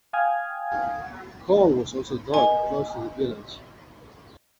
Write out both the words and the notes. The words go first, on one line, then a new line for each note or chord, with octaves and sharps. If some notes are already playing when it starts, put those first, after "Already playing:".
Coal was also dug close to the village.
F5 G5 G#5 D#6 F6 G#6
D#5 G#5